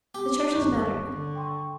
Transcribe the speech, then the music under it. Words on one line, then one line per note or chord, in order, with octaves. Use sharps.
The church is better.
G4
G1 D#2 C#6 F#6 G6
D3
G5 C6 C#6